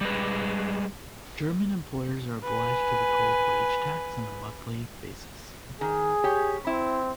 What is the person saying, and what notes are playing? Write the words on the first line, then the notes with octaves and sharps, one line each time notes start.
German employers are obliged to withhold wage tax on a monthly basis.
G3 G#3 B4
B4 G#5
D#3 G#4
G4 C#5
C4 E4